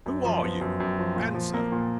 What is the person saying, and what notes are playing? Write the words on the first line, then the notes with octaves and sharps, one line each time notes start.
Who are you? Answer!
F#2
F3
B3
F#2
F#2
F3
A#2
F3
A#3
A#2